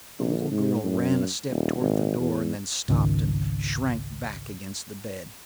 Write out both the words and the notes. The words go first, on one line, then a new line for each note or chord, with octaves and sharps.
The little girl ran a step towards the door, and then stopped and shrank back against the bed.
A#1
G#2
F#2
D#1
G#1
E2
G#1 C#2 D#3